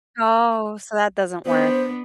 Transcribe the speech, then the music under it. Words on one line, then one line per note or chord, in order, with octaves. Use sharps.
Oh, so that doesn't work,
B3 D4 C5